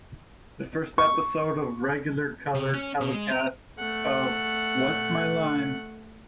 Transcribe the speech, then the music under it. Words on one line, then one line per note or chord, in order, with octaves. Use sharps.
The first episode of regular color telecasts of What's My Line?
C#6
C3
C#4
B2
G#3
A#5
A3 F#5